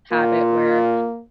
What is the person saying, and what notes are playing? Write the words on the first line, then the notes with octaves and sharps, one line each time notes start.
habit where
A#3 F4